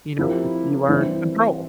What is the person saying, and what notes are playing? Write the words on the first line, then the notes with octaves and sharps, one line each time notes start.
You know that you are in control.
F3 C4 E4 G4 A#4
E3 G3 C4 D4
E4